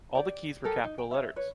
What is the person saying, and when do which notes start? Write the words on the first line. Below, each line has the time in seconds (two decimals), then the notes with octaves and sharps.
All the keys were capital letters.
0.15 G4 D5
0.64 G4 A4 A#4
0.84 D#4
0.98 G5
1.11 C#5 E5
1.36 B4 C#5